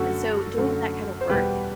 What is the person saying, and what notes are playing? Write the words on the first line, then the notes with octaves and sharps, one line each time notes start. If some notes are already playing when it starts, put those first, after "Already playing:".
so, doing that kinda work
Already playing: F#2 D3 A3 F#4 A4
F#2 D3 A3
C5
E2 B2 G3 B3 G4 B4